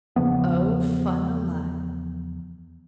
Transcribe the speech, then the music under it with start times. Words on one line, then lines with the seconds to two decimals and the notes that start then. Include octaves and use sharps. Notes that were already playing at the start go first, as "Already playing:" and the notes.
Oh, fun alive!
0.16 E2 C#3 F3 B3